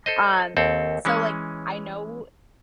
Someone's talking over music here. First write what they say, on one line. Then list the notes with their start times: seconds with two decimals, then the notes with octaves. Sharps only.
Um, so, like, I know
0.06 A4 C5 D#5
0.57 D#2 C4 A4
1.05 E3 G#3 C#4